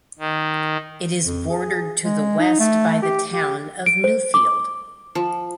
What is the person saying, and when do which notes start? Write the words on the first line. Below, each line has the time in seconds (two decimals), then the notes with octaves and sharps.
It is bordered to the west by the town of Newfield.
0.19 D#3
1.24 F2
1.50 G#4
2.04 G#3
2.39 D#4
2.60 A3
3.03 G4
3.33 G4
3.86 D7
4.04 C5
4.34 D6
5.15 F3